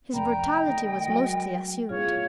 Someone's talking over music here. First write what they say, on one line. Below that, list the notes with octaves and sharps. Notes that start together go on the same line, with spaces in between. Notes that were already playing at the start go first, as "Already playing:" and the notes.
His brutality was mostly assumed.
F2 C3 A3 A#4 D5 G5 A#5 B5
C3 D#3 A3 D#5
F#3 G#3 A3
B1 F#2 A2 F4 G#4 C#5 F5